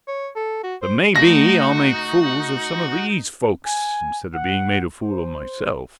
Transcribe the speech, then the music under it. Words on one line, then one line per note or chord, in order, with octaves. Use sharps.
But maybe I'll make fools of some of these folks, instead of being made a fool of myself.
C#5
A4
F#4
C5
C#3 A3 D#4 F#4 F5 A#6
G#5
F#5
C5